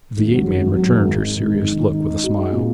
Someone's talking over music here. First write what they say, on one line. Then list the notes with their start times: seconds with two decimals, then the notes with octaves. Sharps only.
The ape-man returned her serious look with a smile.
0.17 G#1
0.32 F#3
0.47 G#1
0.61 F#2
0.76 F#3
0.90 G#1
1.05 G#2
1.20 G#2
1.35 G#1
1.50 D#3
1.64 D#3
1.78 G#2
1.94 D#4
2.09 D#4
2.24 F#4
2.38 G#3
2.53 A#2